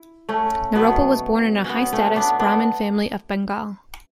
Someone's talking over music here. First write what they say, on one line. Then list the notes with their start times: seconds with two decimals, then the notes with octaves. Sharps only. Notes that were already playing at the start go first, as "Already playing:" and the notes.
Naropa was born in a high status Brahmin family of Bengal.
Already playing: E4
0.29 A3 C#4
0.75 B2 F#3 A3 B3
1.64 C#4
1.70 B3
1.93 A3 C#4
2.16 B3 D4
2.40 B3 D4